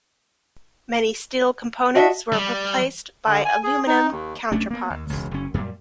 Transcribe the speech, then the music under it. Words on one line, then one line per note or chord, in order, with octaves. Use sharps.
Many steel components were replaced by aluminium counterparts.
D4 F#4 D#5 E5
G3
D3
G#5
G#4
D#4
D#2
B1 A3 C#4 D4
A#3 B3
D#2
E1 C#2
F#1 C#4
F#2 A#2 G3